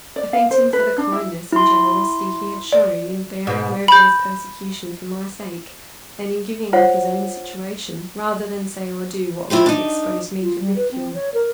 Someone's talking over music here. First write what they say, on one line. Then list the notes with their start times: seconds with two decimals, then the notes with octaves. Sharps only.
I thanked him for the kindness and generosity he had shown in bearing Mowbray's persecution for my sake, and in giving up his own situation, rather than say or do what might have exposed me to ridicule.
0.16 D5
0.33 F5
0.51 C5
0.73 B4
0.98 D4
1.12 E4
1.52 E4 C6
2.72 D5
3.47 G#2 B2
3.88 B5 G6
6.73 F4 C5 C#5 F#5
9.50 E4 F4 G4 C5
9.66 D4 D#4
10.42 F4
10.60 G3
10.76 B4
10.91 C4
11.14 C#5
11.34 A#4